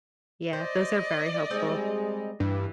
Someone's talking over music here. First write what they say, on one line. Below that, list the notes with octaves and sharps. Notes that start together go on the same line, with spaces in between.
Yeah. Those are very helpful,
C5 D5 D#5
G3 G#3 C4 D#4 G#4
G2 E3